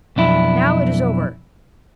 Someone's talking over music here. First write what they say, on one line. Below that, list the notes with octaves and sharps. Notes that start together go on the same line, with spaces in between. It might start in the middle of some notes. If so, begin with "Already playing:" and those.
Now, it is over!
B1 F2 D4 E4